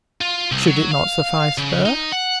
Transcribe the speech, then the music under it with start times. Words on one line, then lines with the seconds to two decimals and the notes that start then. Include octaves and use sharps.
Should it not suffice her?
0.21 F4
0.52 C2
0.67 F#3
0.91 F5
1.58 C#3
1.85 D#4
2.12 F#5